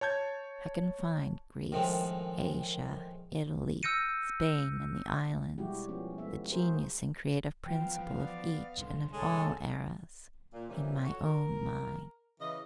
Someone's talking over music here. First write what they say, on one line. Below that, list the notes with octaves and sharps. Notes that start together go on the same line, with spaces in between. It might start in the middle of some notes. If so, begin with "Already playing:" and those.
I can find Greece, Asia, Italy, Spain and the Islands,--the genius and creative principle of each and of all eras, in my own mind.
C#5 A5 G6 G#6
F#2 A2 D#3 F3 G#3 C4
E6 F6 G6 A#6 C#7 D#7
B2 G3 G#3 E4 F#4 G4
F3 B3 C#4 F#4
G#3 A3 B3 E5
F#4 G#4 A#4 C5
E3 F3 B3 F5 G5
D5
C2 G2 D3 C6
G#3 A4 C#5 G#5
A#2
C3 E3 F3 G3 A#3 C#4
F#4 A4 C#5
A#4
C#3 E3 D#5